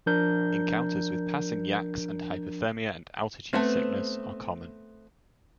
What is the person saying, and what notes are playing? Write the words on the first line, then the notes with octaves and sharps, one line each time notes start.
Encounters with passing yaks, and hypothermia and altitude sickness, are common.
F3 D4 A#4 G6
A3 B3 C4